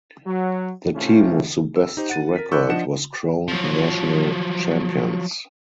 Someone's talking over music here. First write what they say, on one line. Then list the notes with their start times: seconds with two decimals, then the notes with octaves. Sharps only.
The team with the best record was crowned national champions.
0.25 F#3
0.94 A2 C3 A3 C#4 E4 F4
1.76 E6
1.97 D#4 G4 C5
2.10 F#5 A6 D#7
2.36 A#4 B6
2.52 C#6 D6 E6 F#6 G6
2.69 F3 D4 D#5 F#5 C#7 E7
3.48 F3 F#3